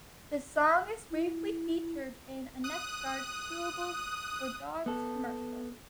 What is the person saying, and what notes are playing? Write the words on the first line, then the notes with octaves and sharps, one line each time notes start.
The song is briefly featured in a Nexgard Chewables for Dogs commercial.
E4
D#6 F#6
B3 A4